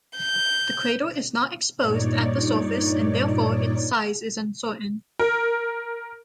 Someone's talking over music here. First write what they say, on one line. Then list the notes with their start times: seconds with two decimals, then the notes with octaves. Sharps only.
The crater is not exposed at the surface and therefore its size is uncertain.
0.18 G6
1.79 G2 A#2 D#4 C#5 D5
5.19 A#4